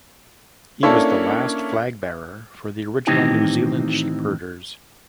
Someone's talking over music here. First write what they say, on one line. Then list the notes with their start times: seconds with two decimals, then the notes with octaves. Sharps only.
He was the last flag bearer for the original New Zealand Sheepherders.
0.83 A#3 C#4 D4 E4 A4 C#5
3.07 A2 D#3 E3 C4 D#4 G4